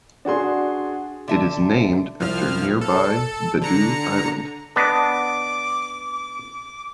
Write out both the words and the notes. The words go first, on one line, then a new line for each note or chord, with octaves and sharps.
It is named after nearby Bedout Island.
D4 F#4 G#4 C6
D3 E5 A5
C2 F3 F6
A4
D3 A#5 C#7
B3 D4 D#5 D6